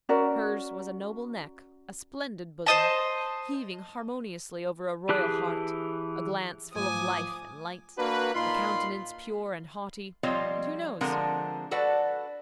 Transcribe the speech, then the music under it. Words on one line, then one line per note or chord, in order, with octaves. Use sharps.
Hers was a noble neck, a splendid bosom, heaving harmoniously over a royal heart, a glance full of life and light, a countenance pure and haughty, and who knows?
C#4 F#4 A#4 D5
C5 D#5 A5
E3 G4 G#4 A5 F#6
G#2 F3 F#3 A3 G#5 D6 D#6
A#3 D4 F#4 B4
A#2 D#4 F4 B5 C6
F3 G3 C4 F4 C#5 D#5
D3 F3 G#3 C4 A#4 F#5
F#4 A4 B4 D5 F#5